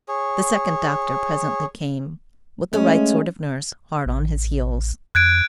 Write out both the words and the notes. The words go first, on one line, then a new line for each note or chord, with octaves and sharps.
The second doctor presently came, with the right sort of nurse hard on his heels.
G#4 C#5
G#3 A3 C#4
A1
F2 F#6 G#6 D7